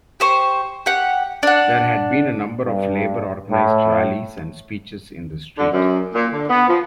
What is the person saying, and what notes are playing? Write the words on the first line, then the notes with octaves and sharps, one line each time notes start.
There had been a number of labor-organized rallies and speeches in the street.
G4 C5 C#6
G4 F#5
D4 F#5
G2
A2
D3
F#2
A#2
D3
B3
F3